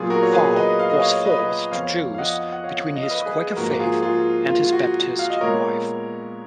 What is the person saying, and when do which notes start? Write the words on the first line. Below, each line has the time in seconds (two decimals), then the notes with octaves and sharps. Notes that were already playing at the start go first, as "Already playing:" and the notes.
Farr was forced to choose between his Quaker faith and his Baptist wife.
Already playing: A#2 F#3 B3 F4 G#4
0.10 F#4 A#4
0.23 C#5
0.33 G#4 B4
0.56 B4 D#5
0.79 F5
0.90 D#5
1.00 C#5 F5
1.25 B4 D#5
1.72 F2 F3 B3 C#5 F5
2.14 F5
2.18 D#5 F#5
2.52 F#5
2.64 C#5 F5
2.96 D#5
3.03 F5
3.10 B4 D#5
3.25 G#4 B4
3.57 G#2 F3 A#3 F#4 A#4
3.80 F4 G#4
4.02 F4 G#4
4.49 F4
4.65 F4
4.72 F#4
5.19 F5
5.30 D#5
5.41 A#2 G#3 B3 A#4 C#5